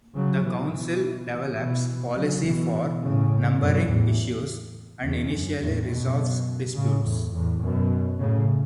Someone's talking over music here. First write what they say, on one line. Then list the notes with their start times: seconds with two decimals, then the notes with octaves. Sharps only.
The council develops policy for numbering issues and initially resolves disputes.
0.15 C#3 F#3
0.44 B2 E3
0.73 B2 E3
1.59 B2 E3
2.17 C#3 F#3
2.45 B2 E3
3.02 A2 C#3
3.60 F#2 B2
3.89 E2 A2
5.04 E2
5.33 F#2
5.61 E2 A2
5.90 F#2 B2
6.75 A2 C#3
7.04 E2 A2
7.33 E2 A2
7.62 F#2 B2
8.20 A2 C#3